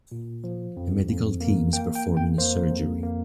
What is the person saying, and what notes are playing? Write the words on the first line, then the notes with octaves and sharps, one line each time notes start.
A medical team is performing a surgery.
A#2
F3
F2
F2
A#3
A#3 G5
G5
F2
G5
A#3 C5
F2
A#3